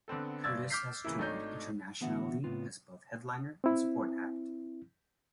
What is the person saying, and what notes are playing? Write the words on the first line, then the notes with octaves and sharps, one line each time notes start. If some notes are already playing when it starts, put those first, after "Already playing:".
Curtis has toured internationally as both headliner and support act.
D3 B3 C4 A4
G1 D5 E6 G#6 A6
D6 F6 G6 B6 C7
C#3 E3 A#3 E4
G#1 A3 D4 D#4 C#5 G6
D3 E3 B3 F#4 E5 F#5
A2 C#3 B3 C4 F4
C4 E4